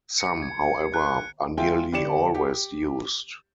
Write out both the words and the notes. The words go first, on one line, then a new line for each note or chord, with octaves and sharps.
Some, however, are nearly always used.
C#7
G#6
F#6
G#3 F4 E5 G5
G1 G4 D5 C#7 E7
G4